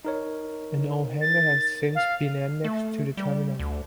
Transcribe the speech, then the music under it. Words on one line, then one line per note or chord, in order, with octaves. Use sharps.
An old hangar has since been annexed to the terminal.
D#4 A#4 C#5
A6
F5
A3
G3
D2